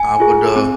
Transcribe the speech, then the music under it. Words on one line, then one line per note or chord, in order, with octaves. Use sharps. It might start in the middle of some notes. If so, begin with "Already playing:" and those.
I would, uh,
Already playing: G#5
F4 G#4
C4